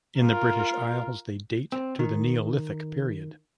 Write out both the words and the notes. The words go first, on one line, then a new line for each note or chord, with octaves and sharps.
In the British Isles they date to the Neolithic period.
F4 A#4
C4
D#3